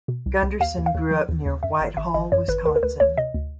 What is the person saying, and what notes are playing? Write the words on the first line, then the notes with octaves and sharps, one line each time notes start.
Gunderson grew up near Whitehall, Wisconsin.
B2
C2
C2
D#2 F5
D#2
F5
D#2
F3
D#2
D#2
F#2 E5
G#1
G#1 E5
G#1 D#5
F#2 C#5
G#1 B4
D2 A#4
A#4
D2 B4
D2 C#5
C3 D#5
D2